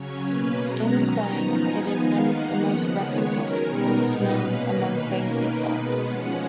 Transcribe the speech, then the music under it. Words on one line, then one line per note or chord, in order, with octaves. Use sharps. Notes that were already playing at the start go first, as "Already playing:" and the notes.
In Klang, it is one of the most reputable schools known among Klang people.
Already playing: C#3 F#3 C#4 C#5
B2 A#3 C#4 B4
B2 G#3 B3 A#5
D#3 F#3 C#4
F3 B3 D#4
F3 B3 D#4 G#5
D#3 G#3 B3 D#4 F5
D#3 A#3 D#4 F#5
C#3 F3 B3
D#3 G#3 B3 C#5
D#3 F#3 C#4 A#4
B2 G#3 B3 D#4
A#2 G#3 B3 D#4 B4
B2 A#3 C#4
D#3 A#3 D#4 B4
B2 A#3 C#4 A#4
D#3 A#3 D#4 B4
B2 G#3 B3
F3 G#3 C#4 F#5